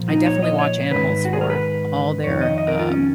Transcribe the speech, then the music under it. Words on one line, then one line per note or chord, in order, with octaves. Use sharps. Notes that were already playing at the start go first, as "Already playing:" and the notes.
I definitely watch animals for all their, um,
Already playing: A#2 F3
D#4
C#5
D#5
C#5
G#2 D#3 B4
F#4
G#4
A#4
B4
F2 D#3 C#5
D#5
D#5
A#4
F4
C#4